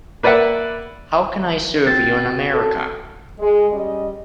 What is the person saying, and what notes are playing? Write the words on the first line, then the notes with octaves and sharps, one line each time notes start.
How can I serve you in America?
A#3 B4 D5 E5 F#5
C4 F#4 A6
A4
G#3
G3 C#4 D#5